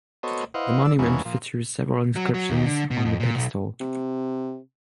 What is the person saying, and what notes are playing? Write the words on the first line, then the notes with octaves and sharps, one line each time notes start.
The monument features several inscriptions on the pedestal.
B3 F#4 A4 C5 C#5 D#5
E4 B4 C5 D#5 F5 F#5
D5 E6
E2 B2 E3 G#3 A#3 C#4
A#2 F3
F#3
F#3
D#2
D3
B2
F2
A#2
B1
C3